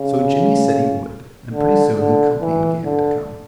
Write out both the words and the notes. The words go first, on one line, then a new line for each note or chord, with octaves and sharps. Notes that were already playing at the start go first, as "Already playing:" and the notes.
So Jimmie said he would, and pretty soon the company began to come.
Already playing: C#3
D3
D3
E3
D3